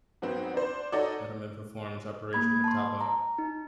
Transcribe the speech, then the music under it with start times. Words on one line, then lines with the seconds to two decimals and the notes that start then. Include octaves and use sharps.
Edelmann performs the operation on Talbot.
0.22 G#2 F#3 B3 C4
0.54 D4 C5
0.92 D#4 F#4 A4 C#5 D5
2.33 A#3 B5 G#6
2.64 A5 C6
3.01 A#5
3.38 D#4